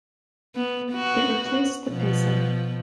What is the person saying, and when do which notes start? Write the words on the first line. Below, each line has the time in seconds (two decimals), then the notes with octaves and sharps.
It replaced the peso.
0.56 B3
0.91 B3 F#4
1.89 B2 F3